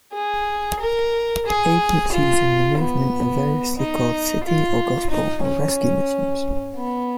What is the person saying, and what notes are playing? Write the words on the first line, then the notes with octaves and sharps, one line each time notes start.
Agencies in the movement are variously called "City" or "Gospel" or "Rescue" Missions.
G#4
A#4
G#4
F4
B3
D#4
F4
D#4
C#4
B3